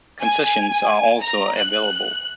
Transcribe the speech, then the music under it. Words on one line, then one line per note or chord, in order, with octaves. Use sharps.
Concessions are also available.
G#5
A#5
F#6